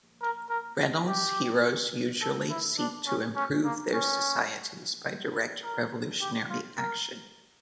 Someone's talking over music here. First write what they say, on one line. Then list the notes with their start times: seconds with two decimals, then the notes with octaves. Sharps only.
Reynolds' heroes usually seek to improve their societies by direct revolutionary action.
0.22 A#4
0.50 A#4
1.08 G4
2.22 A4
2.50 E4
2.79 D4
3.07 C#4
3.36 C#4
3.65 A#3
3.93 C#4
5.64 A#4
6.21 G4
6.50 F4
6.78 A#4